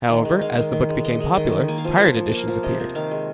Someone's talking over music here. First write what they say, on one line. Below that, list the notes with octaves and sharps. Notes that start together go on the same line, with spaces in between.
However, as the book became popular, pirate editions appeared.
D#3
G#3
G#3 F5
D#3
D#3
G#3
D#3 D#5
G#3
D#3 D#5
D#3
A#3 G#5
F5
F3 G#5
F3
F3
A#3 F5
F3
C3 D#5
F3
D#3 F5
G#3